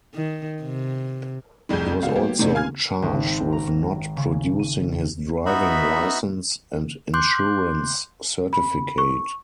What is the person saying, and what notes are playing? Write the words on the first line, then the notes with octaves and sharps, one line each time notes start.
He was also charged with not producing his driving licence and insurance certificate.
D#3
C3
F1 C2 F2 G#4 G6
C#2 F#4 F5
F#3 A#3 B3 G4
A2 C3 A3 D4 D#4
F5 G#5 F6 G#6
G#1
C4
A#5
C#3
D#7
B3 D#4 F#4 E5 B5
C6 D6 F#6 G6
B5
C#6